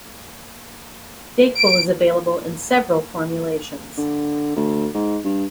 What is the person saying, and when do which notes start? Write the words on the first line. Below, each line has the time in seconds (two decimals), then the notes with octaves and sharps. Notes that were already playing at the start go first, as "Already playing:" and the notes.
DayQuil is available in several formulations.
1.55 D7
3.98 D3
4.56 D2
4.94 G#2
5.25 G2